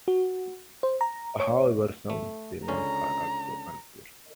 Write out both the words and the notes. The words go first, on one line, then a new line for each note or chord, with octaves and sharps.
However, some seamounts are also unusual.
F#4
C5
A#5
C#5
A3
C#2 D3 C#4 A#5